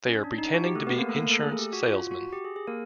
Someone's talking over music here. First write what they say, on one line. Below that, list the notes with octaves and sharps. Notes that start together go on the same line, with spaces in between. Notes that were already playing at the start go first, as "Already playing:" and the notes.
They are pretending to be insurance salesmen.
C#4
D4
D#4
F#4
G4
A3 A4
B3 B4
A#3 A#4
A3 A4
A#3 A#4
A3 A4
G#4
G4
F#4
F4
F#4
G4
G#4
G#4
A#3 A#4